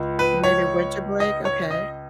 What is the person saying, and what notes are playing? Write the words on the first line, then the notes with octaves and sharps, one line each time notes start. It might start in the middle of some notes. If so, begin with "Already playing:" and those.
Maybe winter break, okay.
Already playing: C#2
B4
C#5
D#5
C#5
D#5